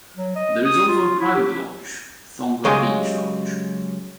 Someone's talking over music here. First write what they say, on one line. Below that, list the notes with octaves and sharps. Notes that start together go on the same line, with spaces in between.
There is also a private lodge - Thonga Beach Lodge.
F#3
D#5
D#6
F4
E4
G4
C#3 F#3 G#3 G4 D#5 C6